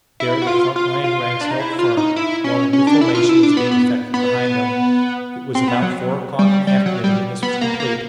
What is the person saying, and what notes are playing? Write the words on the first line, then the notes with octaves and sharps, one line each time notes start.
There their front-line ranks held firm, while the new formation was being effected behind them. It was about four o'clock in the afternoon when this was complete.
E4
F#4
F4
F4
F4
D4
D#4
E4
F4
D#4
E4
C#4
C#4
D4
E4
F4
E4
D4
B3
B3
B3
C4
B3
F#3
G3
G3
F#3
G3
B3
A#3
A#3